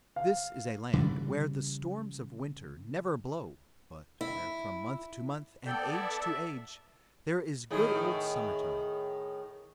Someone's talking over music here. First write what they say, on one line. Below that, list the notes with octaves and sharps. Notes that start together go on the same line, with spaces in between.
This is a land where the storms of winter never blow but where from month to month and age to age there is good old summer time.
F5
C#3 E3 G3
E4
B3 A4 D5 G5
E4
E5
A2 D#3 G#4